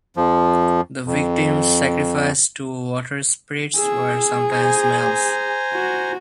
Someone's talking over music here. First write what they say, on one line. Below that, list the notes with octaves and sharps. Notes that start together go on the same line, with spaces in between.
The victims sacrificed to water-spirits are sometimes males.
F2 F3
F2
G#4 E6
C5 G#5 A#5
F#4